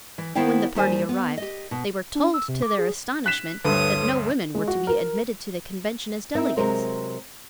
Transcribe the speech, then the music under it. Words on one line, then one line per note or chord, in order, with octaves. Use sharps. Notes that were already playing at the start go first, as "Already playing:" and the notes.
When the party arrived, they were told, to their astonishment, that no women were to be admitted to the Convention as delegates.
E3
D#3 B3 E4 C5 F5 G5
D#2 G3 C5 G#5
B3
G4 D#5
B2
D4
E6
C3
D6
G#4
F#6 B6 E7
D2 G2 A4 B4 C#5 D#6
G#3
F#4
A#4
C4 D#4 A#4 E5
C3 F#3 G#3 A#4 C5 D#5